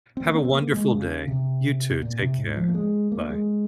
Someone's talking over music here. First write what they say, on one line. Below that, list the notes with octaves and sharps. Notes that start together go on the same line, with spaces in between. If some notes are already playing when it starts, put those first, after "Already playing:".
Have a wonderful day. You too. Take care. Bye.
C4
A#3
C#4
C4
A#3
G#3
C#3
C3
A#2
C3
G#2
F3
A#3
G#3
A#3
G#3